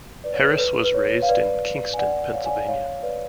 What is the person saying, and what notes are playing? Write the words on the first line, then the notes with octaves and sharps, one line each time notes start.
Harris was raised in Kingston, Pennsylvania.
B4 D5
C#5
B4
A4
B4
B4
C#5
F5
B4 D5
G#5
D5 F#5
C#5 F5
G#5
D5 F#5
C#5 F5
B4 D5